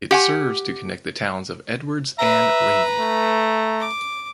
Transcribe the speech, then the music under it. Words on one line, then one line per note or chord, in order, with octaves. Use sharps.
It serves to connect the towns of Edwards and Raymond.
G4 F#5 G#5
B4 E5 A#5
A3
D6